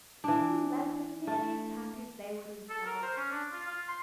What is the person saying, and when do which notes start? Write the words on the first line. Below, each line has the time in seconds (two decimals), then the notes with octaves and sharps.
He left them nearly as happy as they were themselves.
0.24 E3 D4
1.27 A3
2.69 A4
2.86 A#4
3.03 C5
3.17 C#4
3.31 D4
3.51 F4
3.67 F4
3.88 C6